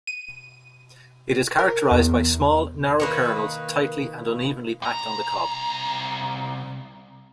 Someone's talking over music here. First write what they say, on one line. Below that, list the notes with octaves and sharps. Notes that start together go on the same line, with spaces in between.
It is characterized by small, narrow kernels tightly and unevenly packed on the cob.
D#7
A#4
E2
D#3 A#3 B4
C2 A#5